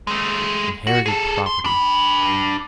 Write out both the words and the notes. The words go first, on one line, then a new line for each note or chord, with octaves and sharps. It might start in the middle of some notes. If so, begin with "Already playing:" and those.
Inherited property!
G#3 A3
F#4
G#4 A4
C6
D4 B5